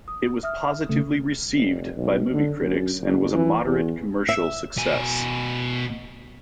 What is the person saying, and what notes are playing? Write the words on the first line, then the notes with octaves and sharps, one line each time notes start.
It was positively received by movie critics and was a moderate commercial success.
D#6
E5 D#6 F6
C#3 A3
F1
B1
D3
F#2
F#1
E3
E2
E5
B2 G#5